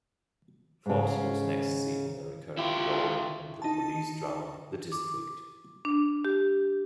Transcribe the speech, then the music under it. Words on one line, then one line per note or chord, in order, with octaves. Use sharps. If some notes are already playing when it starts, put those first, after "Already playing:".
Forbes was next seen in a recurring role on the police drama "The District".
G#2 C#3
E4 F4 G4
D#4 A5
D6
D4
G4